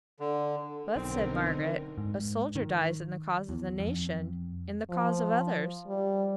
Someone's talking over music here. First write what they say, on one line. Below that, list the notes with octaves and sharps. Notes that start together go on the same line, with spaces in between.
'But,' said Margaret, 'a soldier dies in the cause of the Nation--in the cause of others.'
D3
B1 D3 C4 D#4 A#4
G#2
D#3
E2
F2
F3
G3